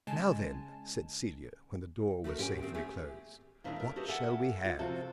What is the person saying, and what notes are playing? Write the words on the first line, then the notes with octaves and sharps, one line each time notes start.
"Now then," said Celia, when the door was safely closed, "what shall we have?"
C#3 G#3 G#5 A5
A3 F#4 G4 A4 A#4
G#2 C#4 F#4 G4 G5 G#5
D#3 C4
D2 A3 G4 G#4 G#5
D#2 A#2 D#3 D4 E4 A#4
A3 A#4
F#4 G4 A4 B4 D#5
A4 A#4 D5 E5 F#5 G#5
F4
C3 F3 C4 F#4 A4